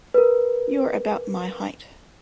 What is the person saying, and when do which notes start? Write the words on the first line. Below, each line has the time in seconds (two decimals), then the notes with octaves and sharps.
You’re about my height.
0.14 A#4 B4